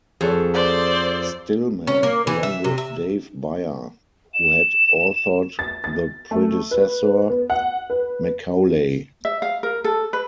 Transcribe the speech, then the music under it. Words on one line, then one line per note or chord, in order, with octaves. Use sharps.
Stillman, along with Dave Bayer who had authored the predecessor, Macaulay.
F2 G#4 A4 C#5
C5 D5
C#4
A#3
E3
E5
C3
E5
E7
A6
A6
A3
B4
B3
F#5
B4
E5
F5
A#4
A4
B4